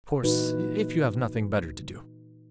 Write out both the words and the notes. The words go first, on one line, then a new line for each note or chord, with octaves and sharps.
Of course, if you have nothing better to do.'
A#2 E3 D#4 F#4 B4